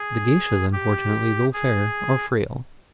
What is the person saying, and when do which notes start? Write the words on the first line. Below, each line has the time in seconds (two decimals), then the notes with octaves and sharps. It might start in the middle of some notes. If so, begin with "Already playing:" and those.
The geishas unfortunately, though fair, are frail.
Already playing: G#4
0.73 G4
1.53 G#4